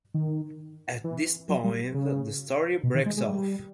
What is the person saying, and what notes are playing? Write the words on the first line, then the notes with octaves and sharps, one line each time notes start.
At this point the story breaks off.
D#3
E3
F#3
G3
C#3
B2
D#3
G#3
G#3
G3